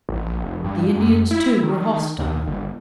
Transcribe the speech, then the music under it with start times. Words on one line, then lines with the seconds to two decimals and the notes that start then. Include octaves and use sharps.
The Indians, too, were hostile.
0.09 A1
0.26 A#1
0.43 F1
0.64 G2
0.95 F#2
1.31 E4
1.63 D#3
2.19 D#2
2.47 G1